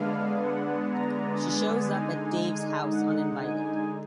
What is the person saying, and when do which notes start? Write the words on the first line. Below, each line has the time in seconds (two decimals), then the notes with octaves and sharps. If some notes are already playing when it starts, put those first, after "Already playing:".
She shows up at Dave's house uninvited.
Already playing: D3 G#3 B3 D4 F5
0.43 F#5
0.92 A#5
1.42 G#5
1.92 D3 G#3 D#4
2.91 F#5
3.40 G#5